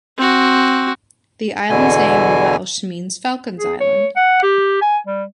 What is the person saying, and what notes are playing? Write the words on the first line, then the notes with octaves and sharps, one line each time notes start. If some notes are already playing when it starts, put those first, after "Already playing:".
The island's name in Welsh means "falcon's Island".
C4 F#4
E2 B2 D3 G#5
G#4
C#5
F#5
G4
G#5
G3